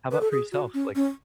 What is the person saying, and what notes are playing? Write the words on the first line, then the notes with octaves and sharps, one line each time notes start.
How about for yourself? Like
B4
A4
G#4
F#4
C#4
C#4